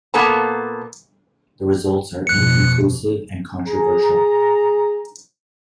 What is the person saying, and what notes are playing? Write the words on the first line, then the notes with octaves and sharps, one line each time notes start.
The results are inconclusive and controversial.
A#2 A#3 B3 A4 A5 A#5
F2 B2 F#6 C#7
G#4 A#5